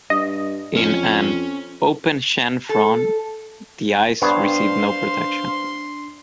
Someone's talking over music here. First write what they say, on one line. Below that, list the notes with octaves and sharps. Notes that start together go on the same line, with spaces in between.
In an "open chanfron", the eyes received no protection.
G2 D#5
F2 C#4
A4
G2 B3 D4 C5 C#5 F5 C6